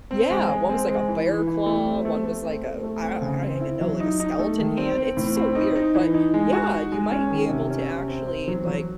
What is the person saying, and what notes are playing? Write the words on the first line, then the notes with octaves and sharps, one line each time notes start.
Yeah, one was like a bear claw, one was like, uh, I I don't even know, like a skeleton hand, it's so weird, but yeah, you might be able to actually, like,
C4
G#3
G#3
C4
G#3
E3
E3
E3
A3
C4
A3
A3
C4
A3
A3
C4
C#3
C4
E4
F#3
D#4
D#4
A3
D#3
C4
C4
A2
C4
D#4
D#4
E3
D#4
G#3
F#4
D#4
G#3
C#4
D#3
C3
C#4
C3
C4
C4
F#3
F#3